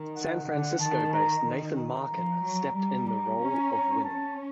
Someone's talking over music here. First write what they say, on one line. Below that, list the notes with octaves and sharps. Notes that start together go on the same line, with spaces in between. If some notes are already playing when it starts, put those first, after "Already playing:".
San Francisco-based Nathan Marken stepped in the role of Winnie.
Already playing: D#3
F#5
D3 F#5
D#3 A5
A#5
D#3
A#5
F3
F#3
G3 A#5
A#5
C#4
A#5
C#4 A5